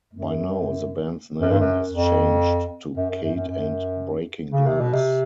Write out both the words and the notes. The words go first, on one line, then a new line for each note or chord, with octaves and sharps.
By now the band's name has changed to "Kate and Breaking Glass".
F#2
F#2
G2
F#2
F2
F#2
F#2
F#2
F#2
F#2
C#3
C3
B2
C3